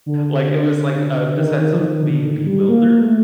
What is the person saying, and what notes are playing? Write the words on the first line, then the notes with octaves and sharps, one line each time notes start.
Like, it was like a a sense of being bewildered.
D3
D#3
D#3
F3
D#3
D3
D#3
G3
A#3
A3